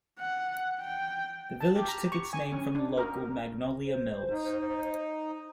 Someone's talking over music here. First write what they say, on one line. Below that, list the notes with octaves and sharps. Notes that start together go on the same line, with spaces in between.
The village took its name from the local Magnolia Mills.
F#5
G5
A5
G4
A#5
C#6
G#5
C#4
D4
A#4
C5
D#4